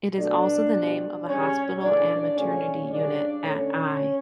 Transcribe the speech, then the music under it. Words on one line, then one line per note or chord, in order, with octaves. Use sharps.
It is also the name of a hospital and maternity unit at Eye.
B2 F#3 A3 D4 D5
B2 G3
C#3 G3 C#4 C#5
C#3 E3 A3 D4 D5
C#3 F#3 A3 C#4 C#5
C#3 G3 D4 D5
D3 A3 C#4 C#5